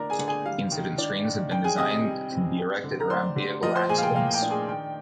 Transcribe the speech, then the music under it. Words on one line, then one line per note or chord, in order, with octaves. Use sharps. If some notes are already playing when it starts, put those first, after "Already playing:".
Incident screens have been designed that can be erected around vehicle accidents.
Already playing: D3 D4 A#4 A#5
G#4 G#5
D3
G#4 G#5
G3 F5
D#3
D4
D#3
D#3 G5
G#4 G#5
C3 D#5 D#6
D#5 D#6
G3
C4
G3
D3
A#5
D4 C5 C6
D3
F3 D#5 D#6
C5 C6
A#2 G#4 G#5
F5
G5
A#3 F5
G5
D4
G#4 G#5
D#3 G5